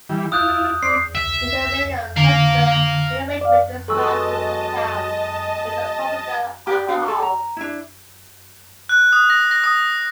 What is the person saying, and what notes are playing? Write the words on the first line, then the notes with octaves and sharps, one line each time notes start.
In the Meyer-Schuster rearrangement the starting compound is a propargyl alcohol.
E3 G3
E4 F4 D#6 F#6 G6
C4 D5 C7
C#2 E5
D3 F5 A#5
D5 F5
F#3 G#3 B3 A4 D#5 A5 C#6 E6
G4 D5
D4 F#4 F5 F#5
A4
A#5
D4 E4
F#6
D#6
A#6
A#6
D#6